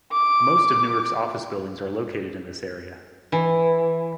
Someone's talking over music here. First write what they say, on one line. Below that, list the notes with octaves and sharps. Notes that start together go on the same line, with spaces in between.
Most of Newark's office buildings are located in this area.
D6
E3